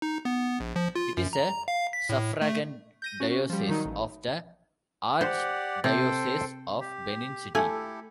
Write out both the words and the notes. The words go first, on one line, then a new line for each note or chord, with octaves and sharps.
It is a suffragan diocese of the Archdiocese of Benin City.
D#4
B3
A#1
F3
F4
F#2
A#5
F5
B6
A2
A3
G6 A#6 D#7
C#4 F#4
F3 G3
D#3 F#3 D#4
A1
G4 C5 D5 F#5
C3 A4 C5 G5
G4
A3 E4 G4 A4 G#5